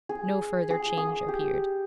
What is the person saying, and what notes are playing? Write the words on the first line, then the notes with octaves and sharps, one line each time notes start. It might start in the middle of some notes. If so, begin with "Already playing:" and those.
No further change appeared.
G#4
G#4
D#6
G4